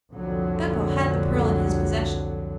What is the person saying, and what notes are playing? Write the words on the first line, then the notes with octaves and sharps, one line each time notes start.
Beppo had the pearl in his possession.
C2 F2 A#2 D3 F#3